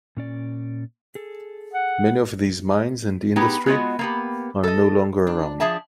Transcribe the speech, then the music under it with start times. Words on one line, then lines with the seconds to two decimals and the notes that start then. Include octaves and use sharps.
Many of these mines and industry are no longer around.
0.17 A#2 C#4 D5
1.15 G#4 A4
1.74 F#5
3.36 B3 D#4 G4 G#4 B4
3.66 G#3 B3 F4 F#4 D#5
3.99 A#3 B3 G4
4.63 A4 D#5
5.27 D4
5.60 F3 D4 G#4 E5 A5